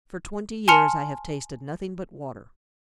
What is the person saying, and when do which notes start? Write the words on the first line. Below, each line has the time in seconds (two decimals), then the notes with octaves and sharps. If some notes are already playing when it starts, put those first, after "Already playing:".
"For twenty years I have tasted nothing but water."
0.68 G#5 A5 C6 F6 C#7 F7